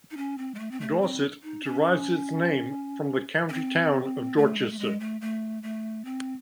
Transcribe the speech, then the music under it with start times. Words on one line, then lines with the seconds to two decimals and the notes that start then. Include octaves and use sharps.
Dorset derives its name from the county town of Dorchester.
0.11 D#4
0.17 C#4
0.38 C4
0.55 G#3
0.59 A3
0.71 C4
0.81 A3
1.01 C4
1.43 D#4
1.64 C#4
3.49 C#4
3.53 C4
4.37 A3
4.58 G#3
4.71 A3
4.79 G#3
5.00 A3
5.21 A3
5.63 A3
6.05 C4